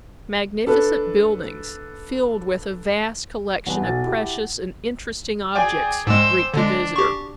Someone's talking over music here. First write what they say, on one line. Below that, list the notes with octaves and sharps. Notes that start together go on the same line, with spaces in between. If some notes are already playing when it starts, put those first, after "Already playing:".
Magnificent buildings, filled with a vast collection of precious and interesting objects, greet the visitor.
D4 A4 B4
E2 G3 F#5 A5
B1 A6
E4 G4
G#4 D5 G5 G#5
G#2 G#3 C5 E6
D3 G#3 D4
G4 C#6